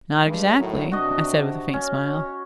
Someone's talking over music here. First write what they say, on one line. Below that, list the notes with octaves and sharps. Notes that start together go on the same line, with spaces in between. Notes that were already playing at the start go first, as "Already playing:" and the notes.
"Not exactly," I said with a faint smile.
G2 G#3
A2 D#3 F#3
C3 D4 F#4 D#5
C#4
C#5